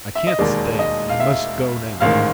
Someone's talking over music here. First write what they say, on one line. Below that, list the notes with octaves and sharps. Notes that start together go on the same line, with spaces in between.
"I can't stay, I must go now...."
E5
D#5
E1 D#2 D#3 G#3 D5
D#5
F5
E5
A1 G#2 D#3 F5